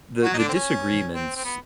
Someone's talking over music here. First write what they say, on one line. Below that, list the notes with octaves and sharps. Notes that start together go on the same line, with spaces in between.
the the disagreements,
F#3 F#4
D#4
D3 D4
C4
C#4
C4
C4
B3